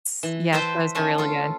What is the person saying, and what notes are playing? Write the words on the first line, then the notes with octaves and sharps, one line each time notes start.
Ts Yes. Those are really good.
E3
B4 C5 E5 G5 A5
A3 C#4 A4 G#5
F4 A4